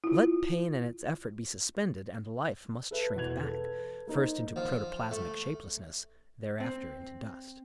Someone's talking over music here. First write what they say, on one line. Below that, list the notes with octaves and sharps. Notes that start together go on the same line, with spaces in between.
Let pain and its effort be suspended, and life must shrink back, first into protoplasmic shapelessness, thereafter into dust.
E4 F4
A4 B4 E5
E2 B2 G#6 F7
A4 B4
A#3 D#4 C5
F3
A3
C4